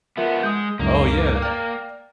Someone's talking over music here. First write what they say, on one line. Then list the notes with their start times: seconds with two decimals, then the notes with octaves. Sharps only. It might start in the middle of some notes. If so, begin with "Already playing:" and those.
Oh, yeah.
0.17 F3 B3 F4 A#4 E5
0.43 G#3 D#6 G6
0.79 C#2 F#2 A#3 D#4
1.42 D5 G5 F6